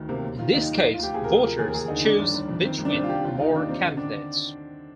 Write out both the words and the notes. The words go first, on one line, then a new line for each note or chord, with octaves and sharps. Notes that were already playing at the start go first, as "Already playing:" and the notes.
In this case, voters choose between more candidates.
Already playing: D2 D#3
C3 A#3
D#2
D#3 F4
D#2 D#4
D#3
F3
F4
D2 G4
D2 G#4
A#4
C3
G#4
F3 A#4
D#2 G#4
A#4
D#2 G#4
D3 D#4
D#3 D4
G1
G1
F2
D#3 C4
C2
D4
C2 C4
F4
C3 G4
D#2 F4
D#3 D#4
D#2 D4
D#3 C4
D3
D4